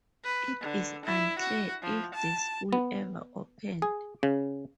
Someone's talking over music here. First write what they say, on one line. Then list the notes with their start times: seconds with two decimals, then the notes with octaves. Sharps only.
It is unclear if the school ever opened.
0.24 B4
0.61 D3
1.05 E4
1.39 F#4
1.82 F3
2.14 A5
2.73 B3
3.82 G#4
4.23 C#3